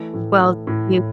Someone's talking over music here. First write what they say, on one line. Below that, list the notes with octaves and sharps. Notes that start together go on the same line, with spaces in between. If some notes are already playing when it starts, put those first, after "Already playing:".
Well, you
Already playing: E3 A3
A2
A2
A2
A2